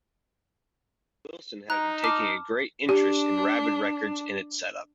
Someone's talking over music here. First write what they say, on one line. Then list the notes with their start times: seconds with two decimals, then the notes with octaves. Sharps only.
Wilson had been taking a great interest in Rabid Records and its set up.
1.70 D#4 A#5 F#6
2.04 A5 D6 F6
2.89 D4 G4